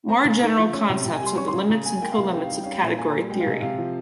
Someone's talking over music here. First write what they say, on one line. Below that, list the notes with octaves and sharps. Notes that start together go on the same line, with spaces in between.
More general concepts are the limits and colimits of category theory.
C4 A#5
C#3
D#4
F3
C#4
C3
C3 G5
G#5
G3 C6
C#4 C#6
C6
C#3
C#3 A#5
G#3 G#5
G#5
A#3 G5
F5
C3
F5
D#4 G5
F5
G3 G5
C#4 F5
G5
A#2 F5
A#2 G#5
A#5
G3
G#3 G5
F5
C3 D#5
C3 F5
F3